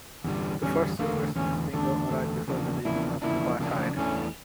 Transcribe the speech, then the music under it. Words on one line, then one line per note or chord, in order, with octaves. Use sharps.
The first settlers in Isipingo arrived before the beginning of Apartheid.
E2 D3 G3
E2 D3 G3 C#4
E2 D3 A3 A#3
E2 D3 A3 C#4
E2 D3 A3 D4
E2 D3 A3
E2 C#3 F3 A#3 D4
E2 C#3 F3 A#3 D4 E4
E2 C#3 F3 A#3 D4 E4
E2 C#3 F3 A#3 D4
E2 E3 A3 C#4 D4